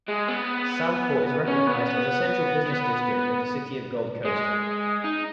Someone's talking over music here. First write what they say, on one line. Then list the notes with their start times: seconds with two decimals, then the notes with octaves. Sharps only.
Southport is recognised as the central business district of the City of Gold Coast.
0.08 G#3
0.28 B3
1.47 C#4
1.67 B3
1.87 B3
2.67 B3
4.25 G#3
5.04 D#4